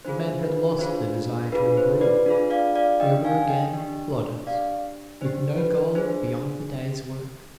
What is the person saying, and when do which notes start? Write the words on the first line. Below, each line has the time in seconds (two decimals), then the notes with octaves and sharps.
The men had lost the desire to improve; they were again plodders, with no goal beyond the day's work.
0.05 D4 F4 G#4 C5
0.42 B4
0.78 D4 F4 G#4 C5
1.52 D4 F4 G#4 B4
1.77 C5
2.01 B4 D5
2.26 D4 F4 G#4
2.50 D5 F5
2.75 D5 F5
3.00 D4 G4 D#5 G5
3.24 F5 G#5
3.49 D#5 G5
3.74 D4 G4
4.47 D4 G4 D5 F5
5.21 D4 G4 C5
5.58 B4
5.95 D4 G#4 C5